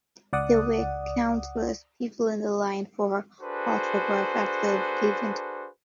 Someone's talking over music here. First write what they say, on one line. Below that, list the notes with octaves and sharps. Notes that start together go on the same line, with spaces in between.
There were countless people in line for her autograph after the event.
C#2 D5 F#5 D#6
D4 F#4 G#4 A4 B4 C5